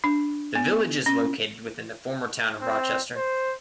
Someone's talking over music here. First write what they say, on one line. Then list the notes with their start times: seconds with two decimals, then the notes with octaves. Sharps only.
The village is located within the former Town of Rochester.
0.04 D4
0.55 B3
1.06 C#4
2.61 C4
3.16 C5